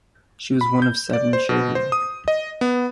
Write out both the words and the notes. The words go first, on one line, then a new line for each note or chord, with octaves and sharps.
She was one of seven children.
B5
G6
D5
C5
B2
C5
D#6
D#5
B3